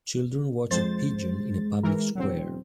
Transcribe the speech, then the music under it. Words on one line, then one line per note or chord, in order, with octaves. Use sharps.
Children watch a pigeon in a public square.
F2 G#3 C5 A6
E3 A#4
E1 F#3 C4